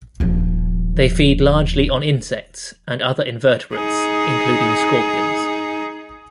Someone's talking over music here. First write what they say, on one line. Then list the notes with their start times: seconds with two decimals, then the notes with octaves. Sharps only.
They feed largely on insects and other invertebrates, including scorpions.
0.20 D#1 F3
3.75 D#4 G#4